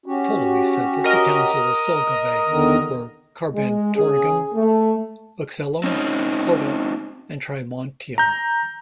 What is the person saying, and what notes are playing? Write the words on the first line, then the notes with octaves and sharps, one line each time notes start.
Ptolemy said that the towns of the Selgovae were "Carbantorigum", "Uxellum", "Corda", and "Trimontium".
C#4 F#4 G4
A#4 D#5
E2 D3 D#3
G#3
C#3 G#4
A3
C4 C#4 D#4
A#5 G6